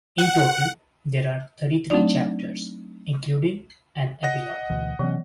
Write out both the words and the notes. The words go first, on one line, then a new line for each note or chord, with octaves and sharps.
In total, there are thirty-three chapters, including an epilogue.
F#5
F#3 A3 C4 D4 D#4 D5
D#5 F#5 A#6
D2 B2 E3
C3 E3 F#3 B3 C#4